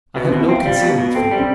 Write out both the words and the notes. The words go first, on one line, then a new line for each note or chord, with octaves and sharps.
I have no concealments from you.
B2 B3
B2 C4
E4
C4 F4
G3 F4
B2
B2
C4 A4
G3
C4